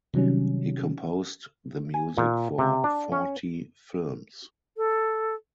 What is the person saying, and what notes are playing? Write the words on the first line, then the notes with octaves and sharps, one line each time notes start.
He composed the music for forty films.
C3 D#3 F#3 G3 C#4
G#5
A#2
C3
D4
C#4
A4